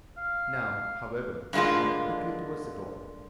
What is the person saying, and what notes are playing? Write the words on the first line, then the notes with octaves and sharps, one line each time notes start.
Now, however, he went quickly toward the door.
F5
G2 D3 G#3 A#3 F4